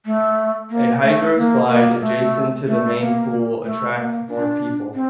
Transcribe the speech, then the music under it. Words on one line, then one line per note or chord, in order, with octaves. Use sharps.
A hydroslide adjacent to the main pool attracts more people.
A3
A#3
A3
A#3
A#3
A3
A3
A#3
A3
A#3
D4
C4